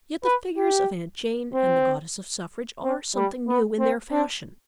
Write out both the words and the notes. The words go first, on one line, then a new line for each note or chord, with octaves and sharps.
Yet the figures of Aunt Jane and the Goddess of Suffrage are something new in their fashion.
B4
G4
C4
C4
G3
B3
C4
D4